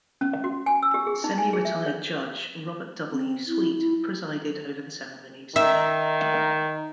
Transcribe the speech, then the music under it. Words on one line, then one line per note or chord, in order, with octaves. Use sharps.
Semi-retired Judge Robert W. Sweet presided over the ceremonies.
C#4
F#4
G#5
E6
G4
G#4
D#4
G#5
G#4
E5
C#5
C4
E4
E4
D#3 E5